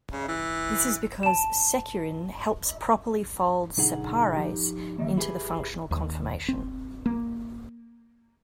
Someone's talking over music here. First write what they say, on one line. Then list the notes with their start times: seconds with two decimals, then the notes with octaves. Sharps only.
This is because securin helps properly fold separase into the functional conformation.
0.12 C#3
0.28 E3
1.23 A5 E7
3.78 B1 D3 D#4 G#4 F#5
4.36 F3 D#4 G4
4.98 D#3 G3 A#3
5.17 E4 G4 G#4 B4
5.91 D#2
6.48 C4
7.06 A#3